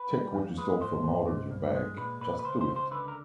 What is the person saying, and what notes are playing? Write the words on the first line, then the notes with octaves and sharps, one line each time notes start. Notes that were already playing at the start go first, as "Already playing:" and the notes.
Take what you stole from out of your bag. Just do it.
Already playing: B4
G3
F2
G#3 B4
G#2 C5
G#2
G#2
G2
G#3
A#2 B4
A#2 B4
B4
C#2 C5
C5
C#2
C5
D3 B4
A#4